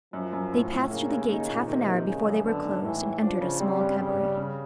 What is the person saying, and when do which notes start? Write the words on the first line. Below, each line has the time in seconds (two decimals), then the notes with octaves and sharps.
They passed through the gates, half an hour before they were closed, and entered a small cabaret.
0.13 F#2 F3
0.33 F#2
0.53 A2
0.72 A2
0.90 C#3 A#3
1.09 D#2
1.29 C#3 D#4
1.49 A#2
1.68 C3 D#3
1.87 D#3
2.06 C#3 G#3
2.26 F#2
2.44 D3 B3
2.64 G#2
2.83 A2 E3
3.03 A2
3.22 F3 D4
3.41 C#3
3.60 G3 C4
3.80 G2
3.98 C#3 G3
4.19 C#3
4.37 C#3